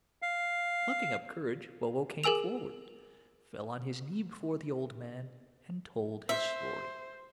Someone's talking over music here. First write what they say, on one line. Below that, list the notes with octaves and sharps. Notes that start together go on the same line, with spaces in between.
Plucking up courage, Bobo came forward, fell on his knee before the old man, and told his story.
F5
G#4 A#4 G#5 E6 F7
C5 E5